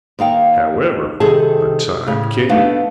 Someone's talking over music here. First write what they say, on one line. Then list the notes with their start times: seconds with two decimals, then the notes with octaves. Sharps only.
However, the time came.
0.19 D#2 D#3 F5 G5
1.20 C3 D#3 G3 G#4 A4 A5
2.07 A2 C#3
2.49 A3 B3 D4 D#4 F5